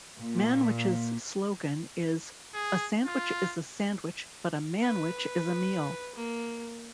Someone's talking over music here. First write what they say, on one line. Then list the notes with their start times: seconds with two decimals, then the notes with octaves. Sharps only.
Manwich's slogan is, A sandwich is a sandwich, but a Manwich is a meal.
0.19 A#2
2.54 G#4
3.06 F4
4.83 B4
6.15 A#3